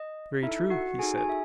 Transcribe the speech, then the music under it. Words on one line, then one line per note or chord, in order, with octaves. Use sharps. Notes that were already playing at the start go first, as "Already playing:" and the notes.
Very true, he said.
Already playing: D#5
D#4 E4 A4 E5
F#4 F#5
D#4 F#4 G#4 A4 G#5
G#4 G#5
E5